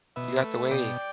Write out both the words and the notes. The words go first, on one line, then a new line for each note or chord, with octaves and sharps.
You got the way.
B2 B4 E5
A3
B2 D5 G5